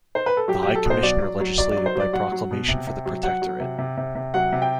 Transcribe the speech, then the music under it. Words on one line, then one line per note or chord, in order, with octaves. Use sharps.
The High Commissioner legislated by proclamation for the protectorate.
C5
B4
A4
F#3 G4
F#3 G4
A4
B2
C5
F#3 D5
F#3
F#3
F#3 D5
D5
F#3
C5
F#3 D5
F#3 F#5
F#3
B2
C3
C3
F#3
F#3 F#5
F#3
C3
C3
C3
C3
F#3 F#5
C3
G5